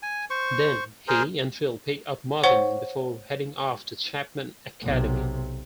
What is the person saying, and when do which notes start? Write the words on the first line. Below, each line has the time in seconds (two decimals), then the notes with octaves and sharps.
Then he and Phil pick up Marvin before heading off to Chapman Academy.
0.03 G#5
0.30 C5 C#6
1.08 G#4 A#4 C5
2.44 C5 C#5 F#5 C#6 G7
4.82 B1 C3